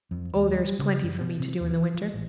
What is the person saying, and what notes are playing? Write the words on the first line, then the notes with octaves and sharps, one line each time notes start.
Oh, there is plenty for me to do in the winter.
F2
D#2
G3
C#3
F#2
B2
C3
D#2
E3
F3
A1